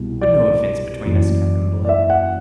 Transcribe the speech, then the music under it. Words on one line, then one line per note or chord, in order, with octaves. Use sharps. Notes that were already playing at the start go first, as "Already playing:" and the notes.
"But no offence between us, Captain Blood!"
Already playing: C2 B2
D5
F#1 F#2 E3
D5
E5
F#5